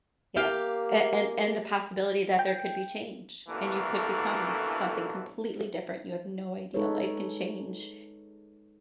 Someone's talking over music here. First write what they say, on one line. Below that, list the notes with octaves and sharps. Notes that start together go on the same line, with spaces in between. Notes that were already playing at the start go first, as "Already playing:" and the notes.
Yes, a an and the possibility that there could be change, and you could become something completely different. You have no idea, life can change
A#3 G4 F5 G5
G5
A1 B2 D3 E3 A3 A#3
G#3 D#4 G#4 A4 B4 C#5